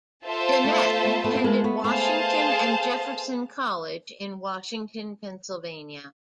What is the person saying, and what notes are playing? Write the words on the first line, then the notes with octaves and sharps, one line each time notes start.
Jeannette attended Washington and Jefferson College, in Washington, Pennsylvania.
F4 A4 C5 E5 A5
A3 B3
A3 B3
A3 B3
B3
G#3 A#3
A3 B3
A3 B3 G#4 C5 F5 A5